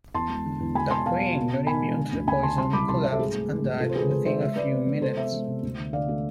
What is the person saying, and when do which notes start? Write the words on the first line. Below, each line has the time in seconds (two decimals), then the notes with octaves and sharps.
The queen not immune to the poison collapsed and died within a few minutes.
0.14 E2 A5 C6
0.30 G#3
0.45 D3
0.60 E2
0.75 G#3 G#5 B5
0.91 B2 A5 C6
1.06 B3 F5 A5
1.21 B2
1.36 B3
1.52 B3
1.67 B2 G#5 B5
1.82 G#3
1.97 D3
2.13 D2
2.27 D2 G#5 B5
2.43 D3 A5 C6
2.58 C2 A5 C6
2.73 C2 B5 D6
2.88 C3 A5 C6
3.04 C2 C5 E5
3.12 A4
3.19 G#2 G#4
3.34 A3
3.49 G#2
3.65 G#2
3.80 C3 F4 A4
3.89 C5
3.95 G#3 G#4 B4
4.10 G#3 A4 C5
4.25 G#3 C5 E5
4.41 G#3 C5 E5
4.56 G#3 B4 D5
4.72 B3
4.87 G#3
5.02 C3 A4 C5
5.17 B3 C5 E5
5.33 G#3
5.48 C3
5.63 D2
5.78 D3
5.93 D3 D5 F5
6.08 A3